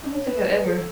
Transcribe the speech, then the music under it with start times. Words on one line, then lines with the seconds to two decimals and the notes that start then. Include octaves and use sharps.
I don't think I've ever
0.13 C#5
0.26 B4
0.50 B4
0.67 G#4
0.73 A4